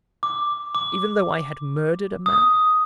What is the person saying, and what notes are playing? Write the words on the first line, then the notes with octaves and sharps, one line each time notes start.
Even though I had murdered a man?
D6
D6
D#6